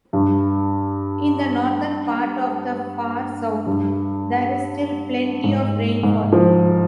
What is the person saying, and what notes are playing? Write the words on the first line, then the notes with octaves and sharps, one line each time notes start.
In the northern part of the far south, there is still plenty of rainfall.
G2
G2
G#2
G#2
F3